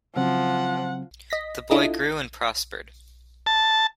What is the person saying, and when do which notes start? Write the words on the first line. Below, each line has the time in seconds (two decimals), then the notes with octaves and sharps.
The boy grew and prospered.
0.16 C#3 F3 F#3 C4 F#5
1.30 D#5 A#6 B6
1.71 D4 E4 F4 A4 D#5
3.46 A5